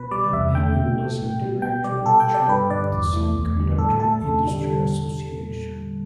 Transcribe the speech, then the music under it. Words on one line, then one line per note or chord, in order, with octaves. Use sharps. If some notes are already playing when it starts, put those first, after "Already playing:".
Amelio was a director and chairman of the Semiconductor Industry Association.
Already playing: B2 B4
G3 D5
E2 E5
D3 A3 G5
B2
A3
A2
G3
B2 G5
G3 D5
B2 A4
G5
G3
D5
G2 B4
D3 G3 D5
E2
E3 A3
E2
D3 G3
A2 A4
A3 A4
E2
D3 G3